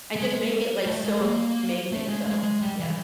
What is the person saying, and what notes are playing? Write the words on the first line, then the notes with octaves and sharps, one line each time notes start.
And just make it, like, so amazing, so, yeah.
G#3
G#3
A3
G#3
A#3
A3
G#3
G#3
G#3
G3
E3